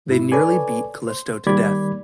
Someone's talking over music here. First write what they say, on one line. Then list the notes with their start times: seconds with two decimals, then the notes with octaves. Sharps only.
They nearly beat Callisto to death.
0.09 G#2 E4
0.32 A4 B4 C#5 D5 G#5
1.07 C5
1.47 D#3 G3 A#3 D5 B5 G#6